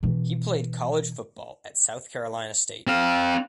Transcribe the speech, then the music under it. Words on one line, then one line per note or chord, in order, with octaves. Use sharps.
He played college football at South Carolina State.
B2 E3
C4 F5